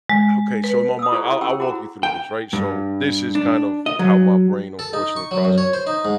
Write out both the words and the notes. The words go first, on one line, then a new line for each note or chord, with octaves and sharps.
okay, so in my mind, I I'll walk you through this, right? So this is kind of how my brain unfortunately processes it.
G#3
B4
D#6 E6
E4 F4 G4 A4 C5 D5
F#4 F#5
C#4 G4 F#5 G5 C#6 E6
E4 F#4 G#4 C5 F#5 A#5
G5
G2
D4
D#5
F#3
A4
D#4
C#6
F#3
F#2
C#5
C5
D#4
G#2